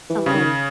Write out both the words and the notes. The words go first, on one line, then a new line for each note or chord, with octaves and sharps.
some, like,
E3
C#3
D#3